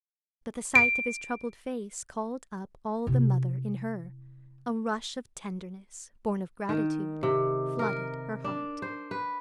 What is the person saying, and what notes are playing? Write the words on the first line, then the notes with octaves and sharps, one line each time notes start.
But the sight of his troubled face called up all the mother in her; a rush of tenderness, born of gratitude, flooded her heart.
D7
C3 E4
D#3
C3
A#4
D4
C5
B4